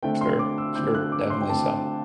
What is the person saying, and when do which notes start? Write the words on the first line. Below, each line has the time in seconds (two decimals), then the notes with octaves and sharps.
Sure. Sure. Definitely so.
0.03 D3 A3 C4 G5
0.21 C6
0.39 D6
0.58 E6
0.75 D3 A3 C4 G6
0.95 F#6
1.12 D6
1.30 C6
1.41 G5
1.49 D3 A3 C4 A5